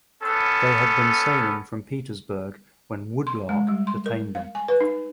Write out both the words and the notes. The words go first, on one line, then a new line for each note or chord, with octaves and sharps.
They had been sailing from Petersburg when "Woodlark" detained them.
B3 C#4 A4
C6
G#3
G3
C6
A#4
F5
G#5
B4
D#4